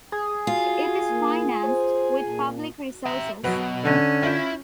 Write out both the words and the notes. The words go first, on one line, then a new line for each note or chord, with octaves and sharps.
It is financed with public resources.
G#4
F4 F#4
A#3
C5
A#2
E5 A#5
B2 F#3 F#4 B4
D3 C#4
E4 F4 E5 G6